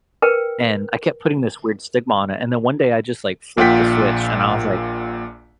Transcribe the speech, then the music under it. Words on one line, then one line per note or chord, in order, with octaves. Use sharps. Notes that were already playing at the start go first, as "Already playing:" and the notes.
And I kept putting this weird stigma on it, and then one day, just, like, flipped the switch, and I was like,
A#4 B4 G5
A#1 A#2 F4 F#5 G5 B6